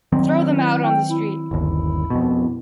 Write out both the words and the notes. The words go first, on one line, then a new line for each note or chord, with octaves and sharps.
Throw them out on the street!
D#3 F#3 C4
E4
G5
E4
G1 D#2
F2 B2